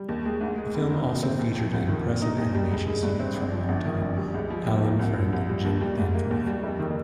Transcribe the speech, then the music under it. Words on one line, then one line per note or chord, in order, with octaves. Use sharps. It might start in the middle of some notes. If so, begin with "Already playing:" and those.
The film also featured an impressive animation sequence from long-time Allen friend Jim Danforth.
Already playing: G3
D#2
G#3
G#2
G#3
F1
D#3
A#2
C4
D#2
F3
C2
D#3
A#2
D#4
D#2
G3
C#2
G#3
G2
C4
G#1
F3
G1
D#3
A#1
G3
C#2
F3
D#2
A#3
C2
F3
C2
G3
D#2
G3
G#2
A#3
D#2
G3
F2
D#3